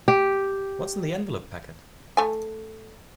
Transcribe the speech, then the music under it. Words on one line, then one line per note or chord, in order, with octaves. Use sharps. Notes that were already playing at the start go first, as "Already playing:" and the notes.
What's in the envelope packet?
G4
A3 G#5